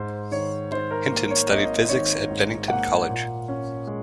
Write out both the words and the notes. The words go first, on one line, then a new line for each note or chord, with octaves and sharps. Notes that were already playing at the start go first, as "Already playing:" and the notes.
Hinton studied physics at Bennington College.
Already playing: G#2 C5
D#3 C#5
D#3 C5
A#4
A#3
C#5
G#1 D#5
D#3 C#5
G#2
A#3 F#5
A#2
C#4
G#3